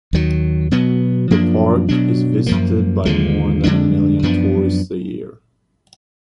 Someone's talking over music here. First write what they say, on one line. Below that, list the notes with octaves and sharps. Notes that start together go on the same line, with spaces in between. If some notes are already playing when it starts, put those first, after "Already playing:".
The Park is visited by more than a million tourists a year.
D#2 D#3 F#3
B2 F#3 B3
F#2 F3 A#3 D4
B2 F#3 D4
F#2 F3 A#3
D#2 D3 F3 G#3
F2 D3 G#3 D4
F#2 F3 B3 D4